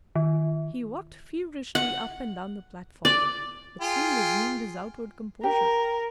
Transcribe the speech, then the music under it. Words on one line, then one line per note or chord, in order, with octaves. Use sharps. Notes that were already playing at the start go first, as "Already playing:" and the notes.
He walked feverishly up and down the platform, but soon resumed his outward composure.
D#3
F#5
D5
F4 G#4 G5
G4 A#4 G5